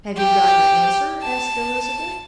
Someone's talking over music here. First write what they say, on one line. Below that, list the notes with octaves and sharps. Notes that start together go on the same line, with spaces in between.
"Have you got your answer?" asked Elizabeth.
G4
A5